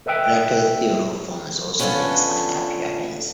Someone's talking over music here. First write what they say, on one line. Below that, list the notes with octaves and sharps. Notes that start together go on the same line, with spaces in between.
Plato's theory of forms also makes an appearance.
A4 B4 D#5 E5 G5
B3 C#4 D4 F4 A4 C#5